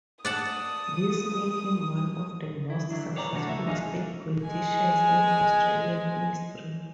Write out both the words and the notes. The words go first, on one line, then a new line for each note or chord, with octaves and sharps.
This made him one of the most successful state politicians in Australian history.
D5 F#5 A5 D#6
E4
D3 F#3 D4
B4 C#5 D5 F5 A#5
C3 A3 D4 F#4 A4
C#2 E5
G#3 D4 D#4 G#4 C5 F5
G#3 G#5